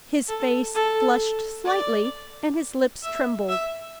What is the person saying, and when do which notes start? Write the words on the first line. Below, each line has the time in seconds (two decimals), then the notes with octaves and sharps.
His face flushed slightly and his lips trembled.
0.28 A4
0.74 A4
1.65 D5
3.03 E5
3.49 E5